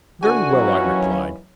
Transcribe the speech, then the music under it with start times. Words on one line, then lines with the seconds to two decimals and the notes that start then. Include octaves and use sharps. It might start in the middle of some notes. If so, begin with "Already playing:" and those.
"Very well," I replied.
0.23 D2 F#4 G#5
0.53 D#2 E3 F#3 C#4